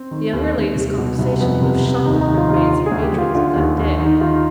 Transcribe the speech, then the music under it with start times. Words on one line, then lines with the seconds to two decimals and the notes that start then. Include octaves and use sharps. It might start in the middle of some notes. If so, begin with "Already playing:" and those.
The younger lady's conversation would have shocked the prim maids and matrons of that day.
Already playing: C4
0.11 D#3
0.33 D#2
0.54 D#2
0.76 C2
0.98 B2
1.19 C2
1.41 F2 B3
1.61 C3
1.83 C3
2.05 D#2 D#4
2.21 D#4
2.27 D#3
2.37 F4
2.48 D#2
2.54 F4
2.70 D3
2.86 G#4
2.92 D2
3.02 G4
3.13 D2
3.18 F4
3.35 D3 F4
3.56 D#2
3.78 D#2
3.99 D#3 D#4
4.21 D#3 F4